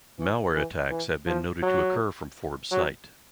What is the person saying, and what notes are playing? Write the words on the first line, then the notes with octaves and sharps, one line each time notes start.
Malware attacks have been noted to occur from Forbes site.
E3
E3
E3
F3
F#3
F#3